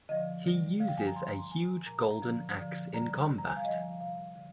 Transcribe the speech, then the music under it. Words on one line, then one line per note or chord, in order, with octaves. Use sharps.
He uses a huge golden axe in combat.
D3 F3 D#5
D3 G3
D3 F3 F5
G5
G#5
A#5
D3 F3 C6
A#5
C6
D3 F3 G#5
A#2 G3 A#5
A#5
A#5
D3 F3
D3 F3
D3 G3 A#5
C3 G3
A#5
G#5
F5
D3 F3 D#5
C3 G3 F5
D3 F3